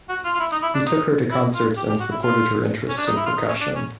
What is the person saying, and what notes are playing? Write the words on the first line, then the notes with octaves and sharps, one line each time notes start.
He took her to concerts and supported her interest in percussion.
F#4
F4
F4
E4
D#4
E4
D4
D#4
E4
F4
G4
G4
F#4
E4
F4
C#4
D4
D#4
E4
F4
D#4
C#4
D4
C#4